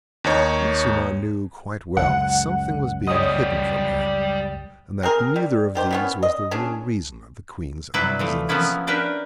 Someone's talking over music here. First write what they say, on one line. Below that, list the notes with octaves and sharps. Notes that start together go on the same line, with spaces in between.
Bellissima knew quite well that something was being hidden from her--and that neither of these was the real reason of the Queen's uneasiness.
D#2 D#4 C#5
C#2 F#2 G#3 F#5
G3 C#5 D#5 D#6
C4 G#4 A#4
G3
D#3 G4 C5
E3 B3 C#4
D#5
C#4 D4 G#4
C3 F#3 G3 E4 B4
E3 F3 A3
F3 F#3 A#3 B3 C#4 E4
C#4 D4 G4 A#4 B4 E5